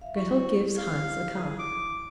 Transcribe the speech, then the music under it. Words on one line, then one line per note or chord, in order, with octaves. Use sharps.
Grettel gives Hans a calf.
E5 F5
E4 F#4
F5
G#4
D6